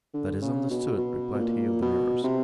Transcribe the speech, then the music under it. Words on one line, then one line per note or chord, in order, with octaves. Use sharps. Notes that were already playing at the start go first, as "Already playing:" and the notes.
"That is understood," replied he of the Mirrors.
D3
C#3
B2
B2
B2
A#2
B2
C3